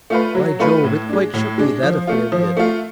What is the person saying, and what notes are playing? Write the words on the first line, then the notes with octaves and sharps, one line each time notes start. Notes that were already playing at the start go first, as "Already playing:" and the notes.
By Jove! it quite shook me, that affair did.
A3 F4 B4
F#3
A3 F4 B4
A2
G#3 D4
A2
G#3 D4
F3
A3 F4
F3
A3 F4